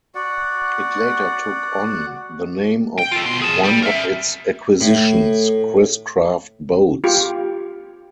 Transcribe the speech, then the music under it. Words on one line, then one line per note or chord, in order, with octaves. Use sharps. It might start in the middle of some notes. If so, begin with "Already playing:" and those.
It later took on the name of one of its acquisitions, Chris-Craft Boats.
F#4 D5 F#5
G5
F4 A4
B2 C6
G#4 A5
G3
A#4 E5
A2
F4 G4